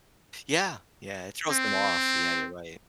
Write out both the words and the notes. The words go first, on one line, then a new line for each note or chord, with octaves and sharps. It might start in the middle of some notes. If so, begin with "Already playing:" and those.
Yeah, yeah. It throws them off. Yeah, you're right.
C4